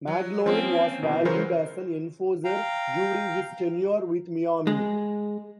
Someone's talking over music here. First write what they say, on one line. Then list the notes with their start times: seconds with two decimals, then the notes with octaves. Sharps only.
Magloire was valued as an enforcer during his tenure with Miami.
0.07 F#3
0.46 F3 A#3 C4 C#4
1.03 B2 E3
1.25 C#3 E3 F#3 A#4 C5
2.44 F5 G5 A#5
4.67 G#3